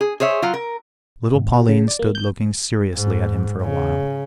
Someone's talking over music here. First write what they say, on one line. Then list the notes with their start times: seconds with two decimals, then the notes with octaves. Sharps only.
Little Pauline stood looking seriously at him for a while.
0.01 G#4
0.20 G#4 C5 C#5 E5
0.42 F#3 F4
0.54 A#4
1.35 G#1
1.53 F#4
1.69 C#3
1.88 D5
1.99 A#3
2.15 G6
2.94 G#2
3.62 C#3